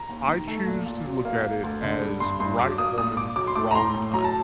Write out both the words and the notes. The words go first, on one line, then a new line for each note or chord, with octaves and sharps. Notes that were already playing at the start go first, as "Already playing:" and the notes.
I choose to look at it as: right woman, wrong time,
Already playing: A#5
D#2
D#3
A3
A#2
A#2
F#3
A#3
A#3
D2
D3
G3
G2 C6
G2 C6
F#3 D6
A#3 D#6
A#2 D#6
A#2 D6
F#3 D6
C6
A3 D6
A#5
A2 C6
A2
F#3 A#5
A5